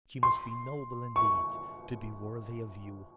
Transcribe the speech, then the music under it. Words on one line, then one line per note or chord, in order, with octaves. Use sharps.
She must be noble, indeed, to be worthy of you.'
C6
C#6